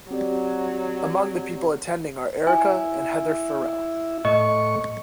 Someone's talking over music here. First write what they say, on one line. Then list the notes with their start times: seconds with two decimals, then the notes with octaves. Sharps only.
Among the people attending are Erica and Heather Farrell.
0.11 F#3 C4 G4 D5
2.47 E4 G#5
4.25 A2 D#5 C#6